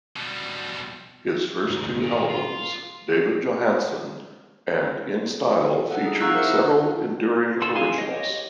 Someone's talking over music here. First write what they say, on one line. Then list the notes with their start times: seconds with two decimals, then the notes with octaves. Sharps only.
His first two albums, "David Johansen" and "In Style", featured several enduring originals.
0.16 B2 G3
1.69 D2 G#2
2.01 A#2 D#3
2.29 F4
5.88 A4 F#5
6.04 D#4 G#4 F#5
6.20 F5 A#5 C#6 E6 F#6
6.35 A#4 C5 E5 F#5 C#7
6.47 E4
7.62 F4 F#4 A5 C6 E6
7.75 C4 F5 G#5 C6
7.98 G4 C#5 D#5